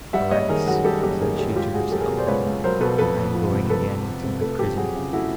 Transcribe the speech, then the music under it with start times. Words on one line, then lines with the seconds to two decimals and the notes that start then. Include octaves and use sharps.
'Alas!' said she to herself, 'I am going again into my prison!'
0.13 G3 E5 F#5
0.31 F#1 C#5 D#5
0.49 D#3 G#4 A#4
0.67 F#2 F#4 G#4
0.84 G3 G4 A4
1.02 F#1 G4 A4
1.21 D#3 G#4 A#4
1.38 F#2 G4 A4
1.56 C#2 F4 G4
1.73 C#2 F#4 G#4
1.91 F#3 G4 A4
2.00 G#4 A#4
2.10 B2
2.18 C5 D5
2.27 C#2 B4 C#5
2.46 C#2
2.64 F#3 A#4 C5
2.80 B2 A4 B4
2.98 F2 A4 B4
3.17 F2
3.35 F3
3.52 C3
3.70 F2 A4 B4
3.88 F2
4.05 F3
4.23 C3
4.41 A3 A4 B4
4.59 F2 G4 A4
4.76 F#3 F#4 G#4
4.95 C#3
5.13 A3 E4 F#4